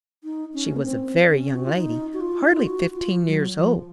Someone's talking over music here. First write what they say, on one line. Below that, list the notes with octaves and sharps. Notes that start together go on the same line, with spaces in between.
She was a very young lady, hardly fifteen years old.
D#4
C#4
A#3
C4
C#4
F#4
F4
D#4
F#4
F4
D#4
F4
F#4
F4
F#3
F3